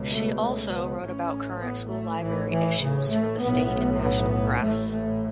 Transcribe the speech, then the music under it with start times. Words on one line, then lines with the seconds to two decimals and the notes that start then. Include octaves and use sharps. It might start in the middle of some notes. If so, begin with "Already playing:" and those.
She also wrote about current school library issues for he state and national press.
Already playing: C#2 B2
0.09 A3
0.40 A3
0.70 B3
1.00 A1 A2 C#4
1.61 B3
1.90 A3
2.20 A1 A2 E3
2.50 E3
2.81 C#3
3.10 A3
3.40 B1 A2 B3
4.01 B3
4.60 A1 A2 A3
4.91 A3